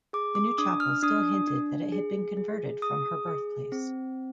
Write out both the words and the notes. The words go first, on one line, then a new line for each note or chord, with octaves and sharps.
The new chapel still hinted that it had been converted from her birthplace.
G#4 D6
D6
D4 D#6
F6
D4 D#6
D4
G#4
G#4
G#4 D#6
G#4
C4